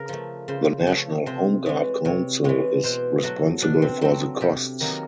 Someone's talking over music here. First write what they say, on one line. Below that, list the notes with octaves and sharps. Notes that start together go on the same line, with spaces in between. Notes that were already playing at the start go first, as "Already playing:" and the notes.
The National Home Guard Council is responsible for the costs.
Already playing: C#3 A#4
F3 A3
C#3 C5
F3 A3 C#5
C3 C5
E3 G#3 C#5
C3 C#5
E3 G#3 C#5
B2 C5
F#3 A3 F#4
B2 D4
C4
F#3 A3 C4
C3 G4
D#3 F#3 A#3